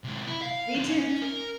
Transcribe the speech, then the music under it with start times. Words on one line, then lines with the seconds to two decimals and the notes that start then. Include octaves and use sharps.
Me too.
0.04 C3 G#3
0.27 E4
0.42 F5
0.75 E2 C#4
0.89 C#4
1.22 A#4